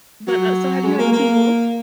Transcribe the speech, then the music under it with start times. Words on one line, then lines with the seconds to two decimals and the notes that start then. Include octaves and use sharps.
But, uh, so have you heard of Teen Wolf?
0.27 F#3
0.84 G#3
0.99 A#3
1.13 A#3